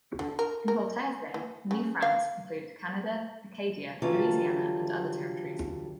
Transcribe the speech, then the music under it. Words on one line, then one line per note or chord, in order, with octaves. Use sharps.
In Voltaire's day, New France included Canada, Acadia, Louisiana, and other territories.
D3
A#4
A#4
E3
C#3
F5
D3 E3 F#3 G3 F4 A4